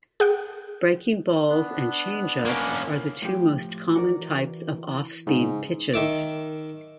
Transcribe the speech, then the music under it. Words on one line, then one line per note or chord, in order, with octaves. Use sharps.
Breaking balls and changeups are the two most common types of off-speed pitches.
G#4 F#5 G5
B3 D4
A#3 C#4
A2 F3 G4
E3 F#4 A#4 D5
G#2 C#3
D#3 E5 D6